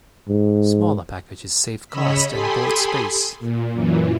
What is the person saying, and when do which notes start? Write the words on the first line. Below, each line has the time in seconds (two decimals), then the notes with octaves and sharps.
Smaller packages save cost and board space.
0.28 G#2
1.88 C#3 C#5 D#5 B5 E6 B6
2.31 G4 A4 G#5 B5 C6 D#6
3.40 A#2
3.73 F#2 A#2 E3